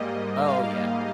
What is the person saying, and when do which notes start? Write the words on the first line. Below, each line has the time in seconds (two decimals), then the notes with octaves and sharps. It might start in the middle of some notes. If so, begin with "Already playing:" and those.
Oh, yeah.
Already playing: G#2 G3 A#3 D#5
0.46 F5